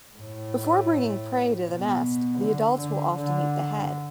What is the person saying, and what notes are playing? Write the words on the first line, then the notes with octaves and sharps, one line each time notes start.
Before bringing prey to the nest, the adults will often eat the head.
A2
B2
D3
D3
D3